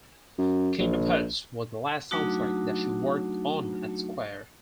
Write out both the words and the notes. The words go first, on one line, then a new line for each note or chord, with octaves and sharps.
"Kingdom Hearts" was the last soundtrack that she worked on at Square.
F#2
A#1
F#3 A3 D4 D#4 F#4